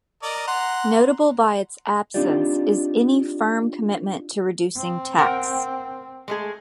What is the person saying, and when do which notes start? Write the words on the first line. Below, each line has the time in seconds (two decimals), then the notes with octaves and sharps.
Notable by its absence is any firm commitment to reducing tax.
0.23 A#4 D5 D#5
0.47 F#5 A#5 C6
2.14 C4 D4 D#4 F4 G4 D5
4.77 C4
5.18 A#4 F#5 G5
6.28 G#3 A3 G#4